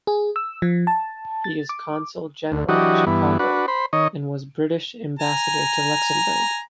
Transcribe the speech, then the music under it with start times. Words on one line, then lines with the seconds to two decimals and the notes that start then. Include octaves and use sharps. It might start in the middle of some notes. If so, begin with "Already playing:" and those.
He is Consul General at Chicago, and was British Ambassador to Luxembourg.
0.07 G#4
0.36 E6
0.62 F3
0.87 A5
1.44 A6
1.69 D6
2.52 D2
2.69 E3 F#3 D4 F#4 G4 D#5
3.07 G2 E3 B3
3.39 D4 F#4 B4
3.68 C5 B5
3.93 D#3 C#5 D#5
5.19 G#5 A#5